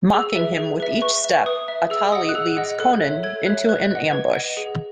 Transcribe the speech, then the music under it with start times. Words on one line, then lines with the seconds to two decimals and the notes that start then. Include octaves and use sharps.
Mocking him with each step, Atali leads Conan into an ambush.
0.13 G#4 E6
0.35 B4 E5
0.57 G#4
0.80 B4 E5
1.02 B4 C#6
1.24 E5
1.46 B4 D#6
1.68 E5
1.90 G#4 E6
2.12 D#5 F#5 D#6
2.29 F#6
2.35 G#4 E6
2.57 D#5 F#5
2.80 A4 F#6
3.02 C#5 E5
3.23 A4 G#6
3.46 C#5 E5 F#6
3.69 B4 F#6
3.91 D#5 F#5
4.12 B4 G#6
4.34 D#5 F#5
4.57 G#4